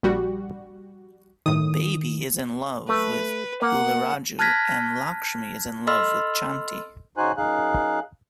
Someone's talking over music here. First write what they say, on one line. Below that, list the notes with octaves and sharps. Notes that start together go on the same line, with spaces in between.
Baby is in love with Buliraju and Lakshmi is in love with Chanti.
A#1 G3 F#4
G1 A2 D#3 D#6
A3 B4
A#3 F#5
A5 F6 F#6 G#6 A#6 B6
A4 D#5 B5 C6 E6 F6
C#3 D#4 F#4 C5 G#5 F#6
F#2 D#4 G#4 F5 F#6